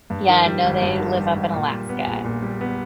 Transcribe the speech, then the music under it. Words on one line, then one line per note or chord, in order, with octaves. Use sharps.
Yeah, no, they live up in Alaska.
G2
D#3
G3
G#1
G2
D#3
G3
G#1
A#2
G3
B3
A#1
A#2
G3
B3